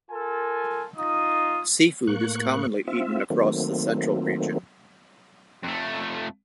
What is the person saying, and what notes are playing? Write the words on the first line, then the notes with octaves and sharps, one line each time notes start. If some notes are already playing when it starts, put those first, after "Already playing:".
Seafood is commonly eaten across the Central Region.
F4 A4 A#4 G#5
D#4 F4 D#6
A2 A#3 C#6 F#6
C4 F4 E5
D#3 F#3 A3 A#3 C4
F2 A3